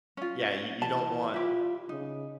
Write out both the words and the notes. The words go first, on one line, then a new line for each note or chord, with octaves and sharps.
yeah, you you don't want
C#4 F4
E3 A5
E4 F4 G4
C#3 D#4